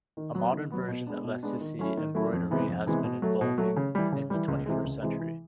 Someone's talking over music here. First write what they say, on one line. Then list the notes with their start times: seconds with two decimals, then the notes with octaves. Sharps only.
A modern version of Assisi embroidery has been evolving in the twenty-first century.
0.17 D#3
0.35 F#3 B3
0.53 D#3
0.71 F#3 B3
0.88 B2
1.07 G#3 B3 D4
1.24 B2
1.43 G#3 B3 D4
1.61 D#3
1.79 F#3 A3 C#4 E4
1.97 D#3
2.14 F#3 A3 C#4 E4
2.33 F2
2.51 C3 E3 G#3 B3
2.68 F2
2.86 C3 E3 G#3 B3
3.04 B2
3.22 F#3 A3
3.41 B2
3.58 F#3 A3
3.76 C#3
3.95 E3 G3
4.12 C#3
4.30 E3 G3
4.48 C#2
4.66 C3 E3 G#3
4.84 C#2
5.02 C3 E3 G#3
5.20 E3